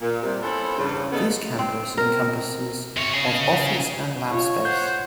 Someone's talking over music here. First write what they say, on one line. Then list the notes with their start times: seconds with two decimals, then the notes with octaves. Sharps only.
This campus encompasses of office and lab space.
0.01 A#2
0.23 C3 G3
0.42 B3 C#4 E4 A4 C5
0.78 E2 G2 C#3
1.12 C#3 B3 D4 D#4 A4
1.59 C4
1.97 A#4
2.97 C3 C#5
3.14 C#3 G#4
4.31 F4 C#5
4.65 C5 F#5 G6